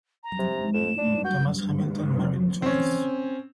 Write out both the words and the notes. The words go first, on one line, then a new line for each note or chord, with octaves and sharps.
Thomas Hamilton married twice.
A#5
C3
F2 E7
D4
F#4 G6
C4 C#4